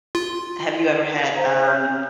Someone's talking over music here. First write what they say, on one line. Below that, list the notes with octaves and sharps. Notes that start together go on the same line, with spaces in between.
Have you ever had, um,
F4
C5 A#5
C#5 F6 G6